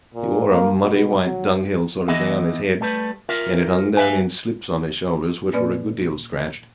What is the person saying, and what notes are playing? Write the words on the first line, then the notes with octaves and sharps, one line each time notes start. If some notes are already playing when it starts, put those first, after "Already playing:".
He wore a muddy-white dunghill sort of thing on his head, and it hung down in slips on his shoulders, which were a good deal scratched.
A#2
A#3
B2
F#3
E3 B3 D#5 E5
G3 A3 B4
F4 A#4 E5
B4 E5 G#5
A#2 A#3 C#4 B4 D5 F6